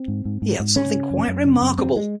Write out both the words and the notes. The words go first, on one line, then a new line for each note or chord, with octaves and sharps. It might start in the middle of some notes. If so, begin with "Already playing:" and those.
He had something quite remarkable.
Already playing: C4
G#2
G#2
G#2
G#2
C#3 C#4
C#3
F#2
F#2
C#3
F#2
E2 C4
G#3